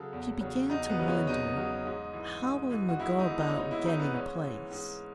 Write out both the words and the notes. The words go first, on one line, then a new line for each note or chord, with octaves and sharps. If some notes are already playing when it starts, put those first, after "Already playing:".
She began to wonder how one would go about getting a place.
Already playing: C#3 F#3 A4
E2
C#3 F#3
E2 D#4
B3
C#3 F#3
C#4
E2 D#4
C#3 F#3
G#2
E3
G#2
E3
F#4
G#2 E4
D#4
E3
D#4
C#4
G#2 D#4
E4
E3 D#4
B3
G#2 C#4
E3
G#2